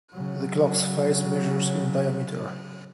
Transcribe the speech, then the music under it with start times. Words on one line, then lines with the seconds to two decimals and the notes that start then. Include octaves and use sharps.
The clock's face measures in diameter.
0.13 C#3 F#3